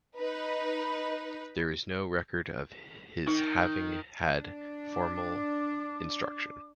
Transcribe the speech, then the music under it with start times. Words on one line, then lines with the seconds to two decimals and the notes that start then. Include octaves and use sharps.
There is no record of his having had formal instruction.
0.18 D#4 B4
3.27 D#3 D#4
4.34 D4
4.93 D6